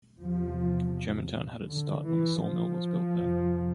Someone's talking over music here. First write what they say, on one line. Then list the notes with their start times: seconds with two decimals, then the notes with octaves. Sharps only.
Germantown had its start when a sawmill was built there.
0.20 E2 C3 F3
1.69 D3
2.06 E3
2.43 F3
3.18 F2 C3